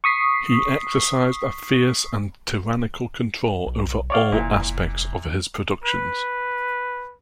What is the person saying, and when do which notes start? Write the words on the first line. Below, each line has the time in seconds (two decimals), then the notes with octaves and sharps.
He exercised a fierce and tyrannical control over all aspects of his productions.
0.04 C#6 D#6 B6 C7
3.67 B1
4.10 C#5 D5 F5
4.32 F1 A#2 E3
5.84 B4